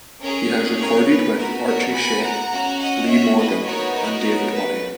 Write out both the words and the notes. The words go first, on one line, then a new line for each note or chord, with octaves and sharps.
He has recorded with Archie Shepp, Lee Morgan and David Murray.
C#4 G#4 A#4 C#5
A#4 C#5
B4
B3 F#4 A#4
A#4 C#5
G#5 B5
F#5 A#5
C#4 F#4
D#5 F#5
C#5 E5
B4 D#5
B3 D#4 F#4 A#4 C#5
A#4 C#5
B4